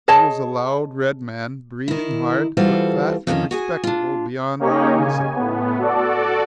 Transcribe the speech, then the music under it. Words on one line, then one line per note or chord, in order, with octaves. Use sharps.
He was a loud, red man, breathing hard, but fat and respectable beyond all reason.
G#4 C#5 D#5 A5
D#3 E4
E3 G3 F4 F#4 A4 C5
F2 A#2 D#3 C#4
F#4 G#4 G#5
D4 F4
A#3 C#4 D#4 G4 C#5 D#5
C#3 G#5
A2 B3
F#4 A4 D5